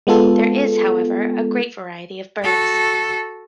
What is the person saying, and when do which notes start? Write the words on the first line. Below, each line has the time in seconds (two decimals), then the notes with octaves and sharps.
There is however, a great variety of birds.
0.07 G#3 B3 F4 A4
2.43 F#4 A4